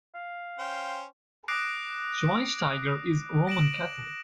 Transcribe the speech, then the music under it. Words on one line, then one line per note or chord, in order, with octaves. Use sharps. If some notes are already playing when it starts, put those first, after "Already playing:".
Schweinsteiger is Roman Catholic.
F5
C#4 C5 G5
D6 D#6 F#6 A#6 C7 D7
A#6 D7 E7 F#7